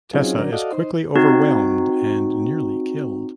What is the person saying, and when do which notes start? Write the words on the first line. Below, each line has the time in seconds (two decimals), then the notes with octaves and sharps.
Tessa is quickly overwhelmed and nearly killed.
0.13 F#3 C4 C#4 D#4 F4 G#4
0.38 D3 F#3 C#4 D4 A#4
0.52 F#4 A4 D5 D#5 F5
0.72 D#4 C5
1.16 C4 D#4 F#4